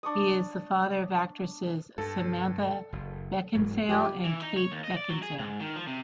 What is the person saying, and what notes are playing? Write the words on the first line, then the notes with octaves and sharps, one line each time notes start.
He is the father of actresses Samantha Beckinsale and Kate Beckinsale.
D4 C#6 D#6
G2 A4
F#1
E1 G#2 F#3
G2 F3 G3 G4
E3
D#4
C#5
D#2
D#5
D5
F#3
G#4
G#2
D#3
F3
C3